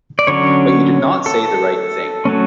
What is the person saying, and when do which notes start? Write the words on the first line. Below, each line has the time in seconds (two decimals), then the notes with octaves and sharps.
But you did not say the right thing.
0.19 D5
0.27 D3 F#3 C#4 C#5
1.26 A4
2.25 F#3 A3 C#4